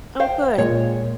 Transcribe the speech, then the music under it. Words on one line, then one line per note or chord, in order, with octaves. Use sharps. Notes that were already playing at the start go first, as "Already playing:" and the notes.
Oh, good.
C5 F5 G5
A#2 G#3 C#5